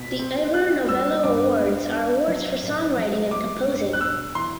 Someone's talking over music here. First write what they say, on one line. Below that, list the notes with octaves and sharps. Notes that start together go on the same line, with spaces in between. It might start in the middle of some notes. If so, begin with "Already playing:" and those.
The Ivor Novello Awards are awards for songwriting and composing.
Already playing: B2 B6
C4
G4 F#6
G3 E6
G2 D6
B3
D4
F#3
A1
F#3
B3 D6
G2
F#6
B1 E6
E3 C6